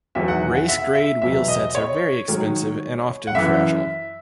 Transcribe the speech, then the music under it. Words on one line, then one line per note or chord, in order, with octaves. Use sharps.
Race-grade wheelsets are very expensive and often fragile.
E2 D#3 F#3 E5
F#5
F#5
E5
E5
E2 B2 F#3 E5
D#5
C#5
G#2 D#3 F#3
F#5
F#2 E3 E5